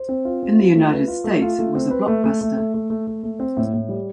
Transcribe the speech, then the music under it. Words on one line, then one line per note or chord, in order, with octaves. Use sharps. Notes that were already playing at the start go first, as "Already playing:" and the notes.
In the United States, it was a blockbuster.
Already playing: C5
C4
F4
C4
F4
A3
B4
F4
A3
F4
A3
C4
B4
A3
A3
A3
A3
A3
A3
A3
A3
C4
A2
A2
G3